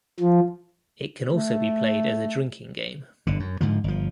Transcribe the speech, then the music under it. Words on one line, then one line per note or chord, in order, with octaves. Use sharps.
It can also be played as a drinking game.
F3
A3
G1 D3
F#2
G#2 D3 F3
G1 F3